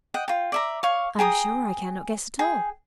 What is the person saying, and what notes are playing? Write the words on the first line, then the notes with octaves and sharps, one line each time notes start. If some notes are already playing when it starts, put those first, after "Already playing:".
"I am sure I cannot guess at all."
D#5 F#5 G5
F4 G5
D5 E5 A#5
C#5 F5 C#6
G#4 G5 A#5 D#6
G#4 G5